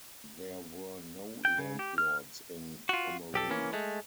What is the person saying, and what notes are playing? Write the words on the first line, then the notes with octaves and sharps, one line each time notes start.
There were no landlords in Pomor'e.
G5
C#3
G4
F6
F4 F#4
B1 G4 A4
E3 A#3 C#4
G#3 A3